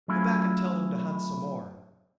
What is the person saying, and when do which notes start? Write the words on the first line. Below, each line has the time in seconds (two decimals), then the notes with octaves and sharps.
Go back and tell them to hunt some more.
0.08 F#3 A3 C#4 E4 F4 G#4